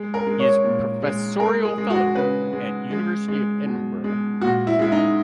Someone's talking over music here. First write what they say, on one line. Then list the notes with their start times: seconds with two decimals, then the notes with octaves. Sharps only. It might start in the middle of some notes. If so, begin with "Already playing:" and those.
He is professorial fellow at University of Edinburgh.
Already playing: G#3
0.14 A#4
0.27 G#3
0.40 C#5
0.64 A#2
1.02 G#3
1.40 G#3 A#4
1.65 G#4
1.78 G#3
1.90 F#4
2.15 C#3 B4
2.53 G#3
2.91 G#3
3.28 G#3
3.66 B2
4.04 G#3
4.41 A#2 F#4
4.67 E4
4.79 G#3 E4
4.92 D#4